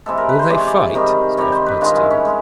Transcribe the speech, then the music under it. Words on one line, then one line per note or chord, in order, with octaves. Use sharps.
"Will they fight?" scoffed Bud Stevens.
C3 E3 G#3 A4
A#4
B4
C5
C3 E3 G#3 D5
C#5
D5
C3 D#3 G3
C3 D#3 G3 C#5
C5
B4
G2 D#3 G#3 F4
E4
C#4
G#3